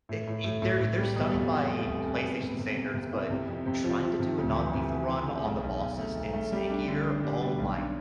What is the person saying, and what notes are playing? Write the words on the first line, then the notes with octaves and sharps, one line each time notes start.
f it it they're they're stunning by PlayStation standards, but trying to do a non-lethal run on the bosses and Snake Eater, oh my
A2
A2
A2
A2
A2
G3
B2
F1
E2
A3
F1
F1
B3
C3
C3
C3
C3
E4
C3
F2
C3
F3
F3
C3
D2
E3
C3
E3
E3
E1
B1
B1
B1
A3
B1
A3
G3
D4
D3
D3
G3
G3
B1
D4